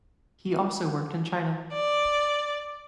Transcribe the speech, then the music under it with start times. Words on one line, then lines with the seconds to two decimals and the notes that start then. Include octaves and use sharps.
He also worked in China.
1.71 D5